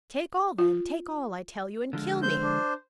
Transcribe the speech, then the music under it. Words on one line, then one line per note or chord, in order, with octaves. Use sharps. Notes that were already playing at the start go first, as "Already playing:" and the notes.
"Take all, then--take all, I tell you, and kill me!"
F4
D3 F3 G#3
C5 G6
D4